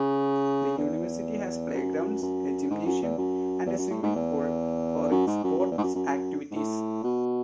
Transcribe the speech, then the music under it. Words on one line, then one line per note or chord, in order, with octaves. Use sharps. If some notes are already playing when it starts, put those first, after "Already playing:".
The University has playgrounds, a gymnasium and a swimming pool for its sports activities.
Already playing: C#3
E2
F#2
F#2
G#2
F#2
E2
F#2
E2
F#2
A2
G#2
E2
F#2
G#2
F#2
F#2
E2
G#2
F#2
F#2
F#2
G#2
A2
B2